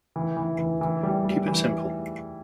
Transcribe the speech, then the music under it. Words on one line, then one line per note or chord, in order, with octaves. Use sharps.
Keep it simple.
E3
E3
E3
E3
G3
G3
E3